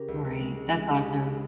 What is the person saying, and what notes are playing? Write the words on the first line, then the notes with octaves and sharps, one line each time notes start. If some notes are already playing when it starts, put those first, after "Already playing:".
Right, that's awesome.
Already playing: C#3 G4 A#4
C#2
C#2
G#3
G#3
G#3
G#3 D#4 G4
C#3
G#3